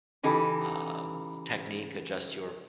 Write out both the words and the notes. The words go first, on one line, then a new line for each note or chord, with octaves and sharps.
um, technique, adjust your m m
C#3 E3 D#4 G4 A4